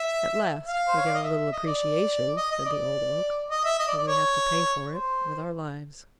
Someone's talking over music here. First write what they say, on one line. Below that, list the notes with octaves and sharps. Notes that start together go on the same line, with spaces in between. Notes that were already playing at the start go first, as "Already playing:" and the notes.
"At last we get a little appreciation," said the old Oak, "but we have to pay for it with our lives."
Already playing: E5
F5
C5
C#5
D5
D#5
E5
D#5
D5
D#5
D#5
D5
D#5
E5
D#5
D5
D5
C#5
C5